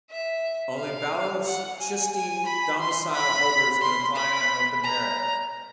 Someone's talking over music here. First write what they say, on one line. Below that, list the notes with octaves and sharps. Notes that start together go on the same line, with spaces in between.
Only Balochistan Domicile holders can apply on open merit.
E5
F5
F#5
G#5
G#5
B5
C6
B5
C6
B5
A#5